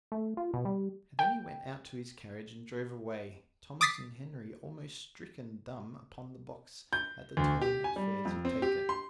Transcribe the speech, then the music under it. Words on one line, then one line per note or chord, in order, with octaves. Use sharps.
And then he went out to his carriage and drove away, Thomas and Henry almost stricken dumb upon the box at the turn affairs had taken.
A3
F4
B2
G3
G5
D6 D#6 A6 B6 C7
G6
D2
G4
G#5
G3
F2
C4
G4
C6